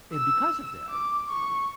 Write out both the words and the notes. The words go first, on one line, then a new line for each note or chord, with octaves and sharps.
and, because of that,
E6
D6
C#6